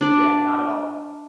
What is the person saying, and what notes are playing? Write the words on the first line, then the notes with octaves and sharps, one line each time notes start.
Yeah, not at all.
D4 D5